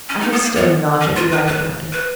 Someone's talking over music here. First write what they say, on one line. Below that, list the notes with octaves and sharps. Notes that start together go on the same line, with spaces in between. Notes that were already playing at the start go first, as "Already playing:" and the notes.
I have still a nausea to write about it!
C#4
D#4
B3
A#3
B3
C#4
F4
B4
B4
B4